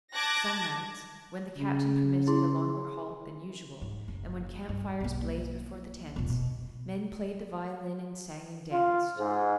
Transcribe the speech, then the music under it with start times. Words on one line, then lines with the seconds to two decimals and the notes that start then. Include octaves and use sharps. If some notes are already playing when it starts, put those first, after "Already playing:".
Some nights, when the captain permitted a longer halt than usual and when camp-fires blazed before the tents, men played the violin and sang and danced.
0.13 A5 D6 F#6 G#6 A#6
1.57 C#3
2.27 E4 G#4 C6
3.82 G#2
4.08 F#1
4.69 G2
5.00 B1 A#3
6.16 E1 A#1
6.30 B2
8.72 F4
9.18 G#2